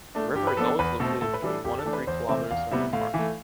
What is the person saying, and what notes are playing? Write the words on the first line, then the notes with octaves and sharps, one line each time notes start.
The river is always located between one and three kilometers from the Marne.
A3 D4
G2 G4
B4
F3 B3 D4 A4
E2 B4
B2 A3 C4 A4
A2 A4
B4
E3 G3 D4 A4
F2 G4
A4
E3 A3 D4
B4
E2 C5
C3 E3 A3 C4 E5
E2 F5
C3 G3 B3 E5
A2 F5
E3
A3